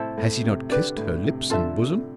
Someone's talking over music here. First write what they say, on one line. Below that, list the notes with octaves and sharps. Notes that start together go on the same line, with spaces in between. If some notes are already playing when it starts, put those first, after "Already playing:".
Has he not kissed her lips and bosom?
Already playing: A2 C3 E4 A4 C5 E5
A2
C3
D3 G4 B4 D5
A2
C3
D3 F4 A4 E5